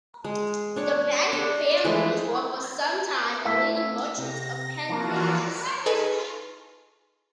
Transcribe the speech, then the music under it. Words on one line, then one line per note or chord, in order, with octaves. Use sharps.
The Batten family were for some time the leading merchants of Penzance.
G#3
D4 C#5 C#6
D4 C#6
E3 F3 G#3 A3
A3 E4 E5
C3 A#6
E3 F3 A#3 F4 F#4
D#4 G#4 A4 B4 G#5